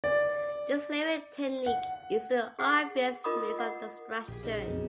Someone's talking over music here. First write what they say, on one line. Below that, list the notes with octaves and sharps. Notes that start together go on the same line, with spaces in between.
This layering technique is an obvious means of abstraction.
D5
F#5
G#4 F#5
F4 A#4 D#5 B5 D6 D#6
F#5
A#1 G4 G#4
C#3 D#4
F2 B2